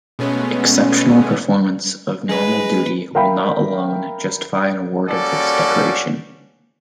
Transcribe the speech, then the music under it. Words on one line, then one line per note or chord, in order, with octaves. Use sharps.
Exceptional performance of normal duty will not alone justify an award of this decoration.
B2 G#3 A3 B3 C#4
G#3 B4
A#4 E5 F5 G5 B5
G3 A#3 C#4 F#4 A4 D5